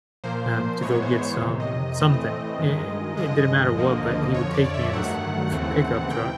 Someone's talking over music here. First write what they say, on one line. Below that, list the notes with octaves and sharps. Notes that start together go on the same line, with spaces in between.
um, to go get some something. I it didn't matter what, but he would take me in his tr pickup truck,
A#2 F3 A#3 C5
G#2 E3 G#3 B3 C#5
C5
C#5
F2 C3 D#3
D#5
A2 E3 A3 C4 D#5
G2 D#3 G#3
G2 D3 F3 G#3 D#5
D2 D3 F3 A#3
F2 D3 F3 C#5
D5
E5
G2 D#3 F#3 A3 F#5
D#2 C#3 E3 A3 C4
C3 E3 G5